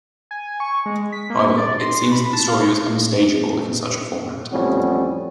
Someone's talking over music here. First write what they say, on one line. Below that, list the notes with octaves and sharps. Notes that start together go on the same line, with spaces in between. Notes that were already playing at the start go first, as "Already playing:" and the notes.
However, it seems that the story was "unstageable" in such a format.
G#5
C#6
G#3
B6
A#3
D5
C6
B5
A5
F5
A1 F2 A2 G3 B3 C#4